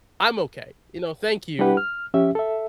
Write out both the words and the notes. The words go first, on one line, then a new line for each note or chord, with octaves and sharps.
I'm okay." You know, "Thank you,
G3 D4 E4 G4 B4 F#5
F6
F3 C#4 G4 E5
A4 E5